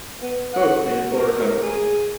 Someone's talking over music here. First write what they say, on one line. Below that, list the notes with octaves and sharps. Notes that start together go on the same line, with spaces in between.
Both made a full recovery.
B3
F#5
F#4
A#4
G#4